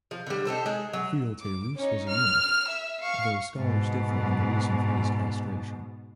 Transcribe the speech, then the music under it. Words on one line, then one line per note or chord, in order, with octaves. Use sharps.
Philetaerus was a eunuch, though scholars differ on the reason for his castration.
F3
D3 G3
D#4 G4 A4 C5
G#3 G#4
F#3
D6
C#4 D#4
F6
E5
F5 C#6
G#2 B2